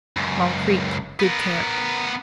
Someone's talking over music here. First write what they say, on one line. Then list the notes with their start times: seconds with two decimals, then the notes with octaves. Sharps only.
Small Creek.--Good camp.
0.17 C#2 F#2
1.20 B3 A#4